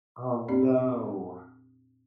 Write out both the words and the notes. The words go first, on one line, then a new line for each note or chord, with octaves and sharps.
Oh, no.
F2 A#2 C4 G4 D5 B5